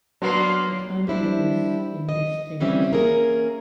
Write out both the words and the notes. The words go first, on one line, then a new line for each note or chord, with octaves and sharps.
The tympanum is indistinct.
F#3 A#3 B3 D4 C6
G3 D4 E4 G4 C5
D#5
C#3 E3 G3 C4 C#4
E3 A#3 C#4 G#4 A#4